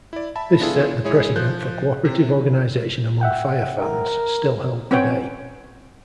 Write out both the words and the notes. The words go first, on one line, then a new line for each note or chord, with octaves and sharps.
This set the precedent for cooperative organization among Fire fans still held today.
E4 D5
E5 A5 B5
B3 D4 E4 F4 G#4 A4
G#3 E4 G#4 C#5
F3 F#6 G6
C3
E5 F#5 G5
A#4
C4 C#4 B4 C#5 F#5 G5